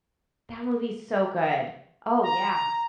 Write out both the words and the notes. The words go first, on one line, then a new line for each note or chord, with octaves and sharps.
That movie's so good, oh yeah.
A#5